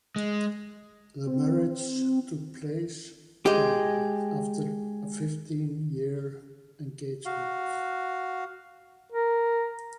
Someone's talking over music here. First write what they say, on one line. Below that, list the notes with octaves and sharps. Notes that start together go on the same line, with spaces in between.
The marriage took place anyway, after a fifteen-year engagement.
G#3
C4
G#3 G4
F#4 F5
A#4